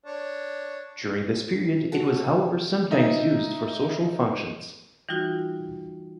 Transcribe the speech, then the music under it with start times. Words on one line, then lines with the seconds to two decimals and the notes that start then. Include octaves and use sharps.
During this period it was however sometimes used for social functions.
0.05 D4 C#5
1.92 F#4 A4
2.91 D#4 D#5 E5
5.09 E3 G3 D#4 F4 F#4